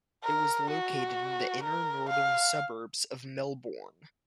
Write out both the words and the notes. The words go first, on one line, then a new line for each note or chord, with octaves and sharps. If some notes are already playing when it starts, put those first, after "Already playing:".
It was located in the inner northern suburbs of Melbourne.
A#4
F#4
A#4
F5